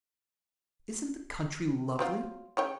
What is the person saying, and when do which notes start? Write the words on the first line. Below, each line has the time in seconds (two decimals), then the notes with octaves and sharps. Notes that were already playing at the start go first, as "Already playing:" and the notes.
Isn't the country lovely!
1.99 F#3 C4 F4
2.57 C#3 C#5 G5